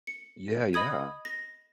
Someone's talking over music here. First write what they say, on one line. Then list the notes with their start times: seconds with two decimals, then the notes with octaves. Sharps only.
Yeah, yeah.
0.07 C#7
0.73 D#5 B5 D#6 G#6 D#7
1.25 A#6